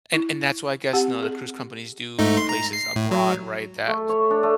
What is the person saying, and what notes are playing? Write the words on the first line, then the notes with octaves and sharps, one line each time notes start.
and and that's why, I guess, know, the cruise companies do places abroad, right, that
E4
C4 G4 F#5
G#4
G#2 A3 D#4
C6
A#5
C7
A2
F#3
A3
C#5
D4
A3